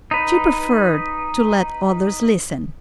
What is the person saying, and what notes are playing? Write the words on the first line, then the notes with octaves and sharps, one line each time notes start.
She preferred to let others listen.
D#4 B4